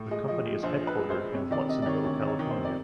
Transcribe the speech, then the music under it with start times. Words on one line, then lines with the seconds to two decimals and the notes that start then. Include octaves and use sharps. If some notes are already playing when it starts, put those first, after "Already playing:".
The company is headquartered in Watsonville, California.
Already playing: A2
0.11 G#3 D#5
0.28 F3 D#5
0.45 F3
0.63 A#1 C5
0.81 F3
0.87 B4
0.99 G#3
1.10 C5
1.16 G#3
1.33 C3 C#5
1.51 D#3 D5
1.69 C3 D#5
1.82 D5
1.86 D#3 C#5
2.04 D2 C#5
2.22 D#3
2.28 C#5
2.39 D#3
2.51 C5
2.57 C3
2.65 D5